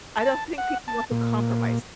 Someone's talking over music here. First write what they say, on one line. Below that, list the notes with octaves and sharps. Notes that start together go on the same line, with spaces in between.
I don't think people want to compromise.
A5
F#5
A5
A#2